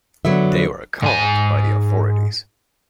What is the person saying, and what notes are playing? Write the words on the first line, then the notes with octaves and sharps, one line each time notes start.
They were caught by the authorities.
D3 F#3 B3 E5
G#2 G#5